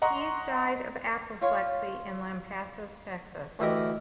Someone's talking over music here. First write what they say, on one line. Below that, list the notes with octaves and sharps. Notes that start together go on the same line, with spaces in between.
Pease died of apoplexy in Lampasas, Texas.
D#5 F#5 A#5 C6 C#6
F4 C#5
D2 E3 G4 A#4 D#5